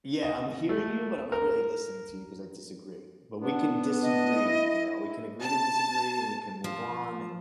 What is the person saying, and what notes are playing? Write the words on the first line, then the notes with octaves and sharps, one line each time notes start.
yeah, I'm hearing you, but I'm not really listening to you 'cause I disagree. But we can disagree, you know? We can agree to disagree and we can move on." And,
D#5
A3
A#4
B3 D4
D#5
E4
A5
F3